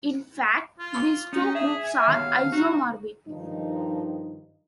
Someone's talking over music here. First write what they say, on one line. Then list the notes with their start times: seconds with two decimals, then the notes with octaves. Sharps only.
In fact, these two groups are isomorphic.
0.79 F4
1.33 C#4 D#4
1.55 G#4 E5
1.84 G#5
2.08 D#3 B3 F5
2.52 D#4 F#4
3.28 G2 D#3 F3 D#4